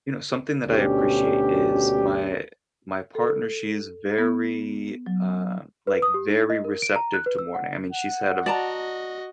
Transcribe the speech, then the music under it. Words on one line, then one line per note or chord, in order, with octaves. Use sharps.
you know, something that I appreciate is my my partner, she's very, uh like, very receptive to mourning. I mean, she's had a v
D2 B2 C#4 D4 G4
A4
B3
F#3
B4
D#6
G4
D#4
D#5
A#4
D7
A#5
F#6
B4
E6
F#5
F#5
F#4 D5 D#5 A5 A#5